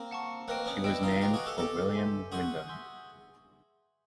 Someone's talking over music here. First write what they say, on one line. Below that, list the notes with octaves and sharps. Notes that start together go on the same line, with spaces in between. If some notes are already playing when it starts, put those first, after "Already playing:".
She was named for William Windom.
Already playing: A#3 C4
F#5 A5 C#6
A#3 C4 B4 D#5 G5
B3 C#4
D4 E4 B4 D#5 G5
D#4 F4
F4 G4 B4 D#5 G5
F#4 G#4
G4 A4
G4 A4 B4 D#5 G5
E5 G#5 C6 E6 G6
F#4 G#4 E5 G#5 C6 E6 G6
E5 G#5 C6 E6 G6